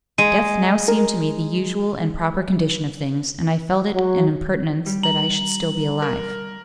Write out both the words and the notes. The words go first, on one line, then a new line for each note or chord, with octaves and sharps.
Death now seemed to me the usual and proper condition of things, and I felt it an impertinence that I should still be alive.
G#3 D#7
A#4
F#3
G3
A#5 F#7
A#4